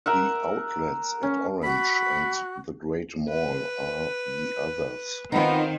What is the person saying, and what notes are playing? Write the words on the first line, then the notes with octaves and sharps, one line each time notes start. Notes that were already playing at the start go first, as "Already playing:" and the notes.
The Outlets at Orange, and The Great Mall are the others.
A#4 E5 F#5
C#4
F#4 B5
B4
D#3 B3 C4 D#4 F4